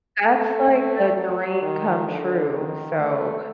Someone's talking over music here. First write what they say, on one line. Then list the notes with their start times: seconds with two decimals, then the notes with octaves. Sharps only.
That's, like, a dream come true, so,
0.24 A3
0.70 A3
1.16 F#3
1.62 D#3
2.07 D3
2.53 D#3
2.98 A3